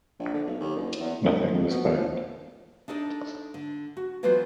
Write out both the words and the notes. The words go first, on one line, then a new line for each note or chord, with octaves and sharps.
Nothing was found.
A#1
D3
B1
D#2
F#1
E2
C2
F2
B2
F3
D4 D#4 A4 C#5 D#5
D3
F#4
E3 F#3 B3 F4 F#4 C5